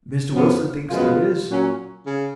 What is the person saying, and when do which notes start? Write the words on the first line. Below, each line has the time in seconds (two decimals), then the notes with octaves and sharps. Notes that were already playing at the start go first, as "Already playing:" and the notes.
Mr. Wilson thinks there is.
0.33 F#2 F3 B3
0.90 F#2 F3 G#3 B3 F4
1.48 A#2 F#3 C#4
2.05 C#3